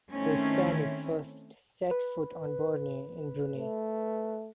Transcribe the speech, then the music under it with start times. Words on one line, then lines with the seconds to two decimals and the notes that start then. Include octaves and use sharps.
The Spanish first set foot on Borneo in Brunei.
0.12 D#3 A3 C4 C#4 E4
1.91 B4
3.56 A3